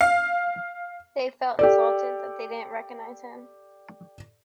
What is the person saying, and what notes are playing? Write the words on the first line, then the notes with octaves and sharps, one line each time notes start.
He felt insulted that they didn't recognise him.
F5
G4 A4 D5